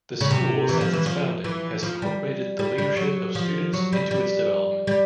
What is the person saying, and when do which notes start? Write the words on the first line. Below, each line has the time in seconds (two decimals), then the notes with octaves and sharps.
The school since its founding, has incorporated the leadership of students into its development.
0.21 C#3
0.31 C3
0.69 E3
0.81 F3
0.93 E3
1.06 F3
1.44 E3
1.83 F3
2.02 G3
2.59 G3
2.78 G3
2.96 F#3
3.35 F3
3.73 F#3
3.93 G3
4.11 G3
4.87 G3